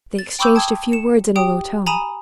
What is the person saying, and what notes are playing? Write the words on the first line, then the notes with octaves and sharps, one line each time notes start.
They exchanged a few words in a low tone.
A6
G5 B5 C#6 D6 E6 G6
G5 A5 D#6 G#6
C#7 E7
G4 G5 D#6
G#5 A#5 B5 D#6 D#7 E7